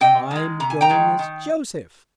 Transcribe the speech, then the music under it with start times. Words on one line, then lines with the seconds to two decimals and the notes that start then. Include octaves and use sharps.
I am going as Joseph.
0.01 C3 D#5 G5
0.31 D#3 G#3
0.60 C3 A#5
0.70 G#5
0.81 G5 A#5
0.90 D#3 G#3
1.19 D#3